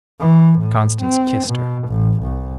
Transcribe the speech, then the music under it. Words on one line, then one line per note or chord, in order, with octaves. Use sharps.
Constance kissed her.
E3
A2
C4
B2
A1
C2